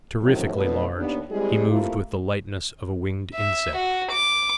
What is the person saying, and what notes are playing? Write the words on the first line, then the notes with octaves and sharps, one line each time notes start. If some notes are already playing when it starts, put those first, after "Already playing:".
Terrifically large, he moved with the lightness of a winged insect.
F#2 A2 C3 D#3 F3 F#3
B2 F#3 A3 D4 B4
D#2 B3 D4
G3 G#3 C4 E4 G4 G#4
C3 A3 A#3 E4 F4
E5
F#4
D6